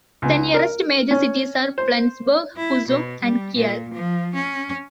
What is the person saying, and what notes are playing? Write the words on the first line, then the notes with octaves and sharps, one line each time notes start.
The nearest major cities are Flensburg, Husum and Kiel.
C#2
A#4
C#4
C5
E4
B2
G3
A#2
F3
C#4